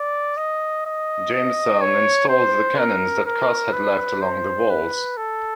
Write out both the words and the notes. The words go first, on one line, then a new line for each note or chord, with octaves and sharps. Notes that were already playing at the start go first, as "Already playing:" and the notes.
Jameson installed the cannons that Cos had left along the walls.
Already playing: D5
D#5
D#5
D#5
C#5
C5
A#4
A#4
B4
C5
B4
A4